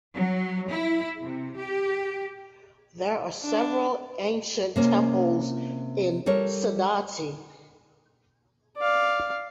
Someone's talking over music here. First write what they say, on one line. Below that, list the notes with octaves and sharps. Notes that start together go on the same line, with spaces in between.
There are several ancient temples in Saudatti.
F#3
E4
C3
G4
D4
C3 A#3 C#4
G3 A4 A#4 C#5
D5 F5